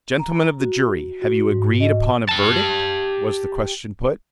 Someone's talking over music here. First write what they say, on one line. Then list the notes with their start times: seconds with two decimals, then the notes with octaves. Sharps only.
"Gentlemen of the jury, have you agreed upon a verdict?" was the question put.
0.19 A#5
0.60 F#4
1.22 F#4
1.51 G#2
1.80 D#5
2.29 G4 A5